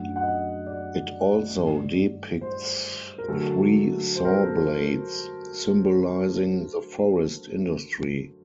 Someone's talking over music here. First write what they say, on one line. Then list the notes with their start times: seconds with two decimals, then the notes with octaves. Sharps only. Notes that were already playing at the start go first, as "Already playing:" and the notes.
It also depicts three saw-blades, symbolizing the forest industry.
Already playing: F#2 F#3 A3 D4 F#5
0.16 F#5
0.23 D#5
0.67 D5
1.54 G2 D#3 A3
2.41 C5
3.18 A#4
3.28 D3 F#3 A3 A4
4.16 C5
4.25 A#4
4.33 A4
4.42 A#4